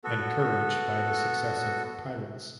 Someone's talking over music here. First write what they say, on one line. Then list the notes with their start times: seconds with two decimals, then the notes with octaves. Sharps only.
Encouraged by the success of Pirates!
0.04 B3 F#4 A4